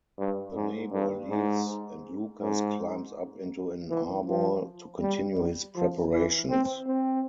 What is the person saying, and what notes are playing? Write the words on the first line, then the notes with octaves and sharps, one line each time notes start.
The neighbor leaves, and Lukas climbs up into an arbor to continue his preparations.
G2
G#2
G2
G#2
G#2
E3
F3
G3
F3
E3
C4
C4